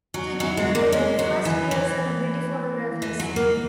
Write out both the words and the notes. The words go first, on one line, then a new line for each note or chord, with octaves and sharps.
Together, they were the first real celebrity photographers.
F#3
F#3
G#3
A#3
G#3
F#3
E3
E3
E3
F#3
A#3